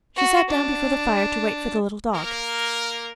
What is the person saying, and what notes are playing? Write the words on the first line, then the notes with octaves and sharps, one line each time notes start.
She sat down before the fire to wait for the little dog.
F#4
D4
A#3 A#4